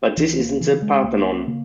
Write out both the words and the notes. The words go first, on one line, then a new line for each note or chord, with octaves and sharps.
But this isn't the Parthenon.
C#2 E3
A#3
C#3 E3
G#3
C#2 A#3
C#3 A#3